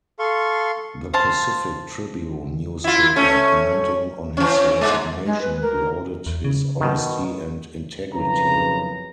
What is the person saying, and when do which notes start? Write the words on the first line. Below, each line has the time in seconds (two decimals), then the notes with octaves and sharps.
The "Pacific Tribune" newspaper, commenting on his resignation, lauded his honesty and integrity.
0.19 A4 F5 C6 C#6
1.14 C5 F5 A5 C6
2.84 E4 F4
3.16 A3 C#4
4.37 E3 C#4
4.81 G#2 G#3
5.26 G#3
5.41 B4
5.62 A#4
6.26 E2
6.44 C#3
6.81 B2 D#3
8.13 F#1 B1 F2 C#3 B4 A#5